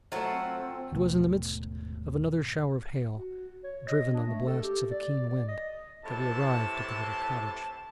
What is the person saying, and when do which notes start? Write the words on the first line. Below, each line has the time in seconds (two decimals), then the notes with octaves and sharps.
It was in the midst of another shower of hail, driven on the blasts of a keen wind, that we arrived at the little cottage.
0.12 F#3 A3 F4 C5 F#5
0.30 C4
0.91 D#1 G#1 B2 A3
3.17 F#4
3.64 C#5
3.88 D#5
4.13 D4
4.27 A3
4.47 A4
4.63 G4
4.91 D5
5.29 D5
5.48 D#5
6.04 A2 C3 E3 A5